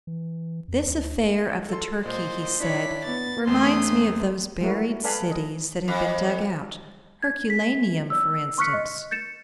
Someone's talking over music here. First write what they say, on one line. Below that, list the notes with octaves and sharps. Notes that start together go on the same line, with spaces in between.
"This affair of the turkey," he said, "reminds me of those buried cities that have been dug out,--Herculaneum, for instance."
E3
F2
D2
A4 C6
A#2 C5 D#5
D4 E4 C#5 D5 B6
B3 A6
E2 A3 C4 C6 D#6
G#3 A3 E4 F#4 A#4
A4 B4 D5 F5 G#5 B5
D#5
F2
G#6
B6
D5 E6
C6 C#6 F6 F#6 B6 C#7
D#5
G6 A6 C#7 E7